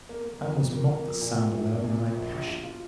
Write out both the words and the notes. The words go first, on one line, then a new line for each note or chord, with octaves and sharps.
I almost mocked the sound aloud in my passion.
A#3
A#3
F2
F2
A#3
A#3
F2
A#2
A#2
A#1
A#1
A#2
A#2
A#1
A#1
F4
F4